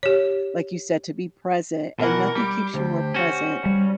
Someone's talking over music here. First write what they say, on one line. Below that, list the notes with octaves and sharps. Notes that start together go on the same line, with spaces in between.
like you said, to be present, and nothing keeps you more present
G4 C#5
B2 E3 A#4 F#5
G3 B5 D6
D2 G4 C5
C#4 F#4
G3